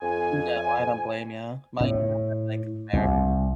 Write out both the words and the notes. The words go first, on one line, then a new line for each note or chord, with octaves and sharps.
No, I don't blame you. My dad had Bank of America.
F2 G#5
A2
C2